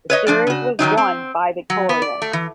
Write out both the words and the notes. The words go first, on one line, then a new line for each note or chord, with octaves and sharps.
The series was won by Victoria.
B4 C#5 D#5
F3 D4 D5
C#3 F#4
D#3 E3 F#3 D#4
C4
F#3
B3
D5
A3
E3